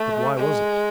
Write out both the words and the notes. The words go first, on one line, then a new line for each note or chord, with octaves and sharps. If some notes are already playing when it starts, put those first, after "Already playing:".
But why was it?
Already playing: A3
G#3